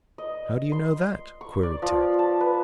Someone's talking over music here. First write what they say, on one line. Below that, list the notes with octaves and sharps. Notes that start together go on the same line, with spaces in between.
"How do you know that?" queried Tad.
D#5
C6
C#6
D5
F3
A5
B4